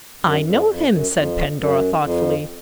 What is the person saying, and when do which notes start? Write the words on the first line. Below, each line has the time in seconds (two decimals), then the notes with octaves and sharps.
"I know him," said Pandora, thoughtfully.
0.23 F#2
0.46 F2
0.69 F2
0.91 F#2
1.13 F2
1.58 F#2
2.03 F2